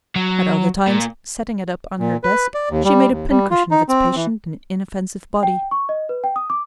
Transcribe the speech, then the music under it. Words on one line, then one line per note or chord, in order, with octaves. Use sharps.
At other times, setting it up on her desk, she made a pincushion of its patient and inoffensive body.
F#3
A#2
A#2
B4
D5
D#2
G3
D#2
G3
F4
D#4
C4
E3
G5
C#6
D#5
B4
G5
D#6
D6